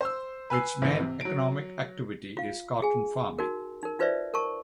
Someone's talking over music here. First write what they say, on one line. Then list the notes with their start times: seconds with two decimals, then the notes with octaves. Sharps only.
Its main economic activity is cotton farming.
0.01 C5 C6 E6
0.50 B4 G#5 E6 C7
0.82 A#1 G#2 E3
0.99 C3
1.21 F#3 D7
2.37 F4 F5
2.82 G#4 G#5
3.39 D#4 F#4 A#4
3.83 D#4 A#4
3.99 D#4 F4 B4 C5 D5 E5
4.34 A#4 A5 C#6